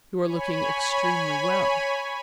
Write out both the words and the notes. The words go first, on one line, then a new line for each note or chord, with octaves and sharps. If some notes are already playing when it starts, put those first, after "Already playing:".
You are looking extremely well.
C#5 G#5 B5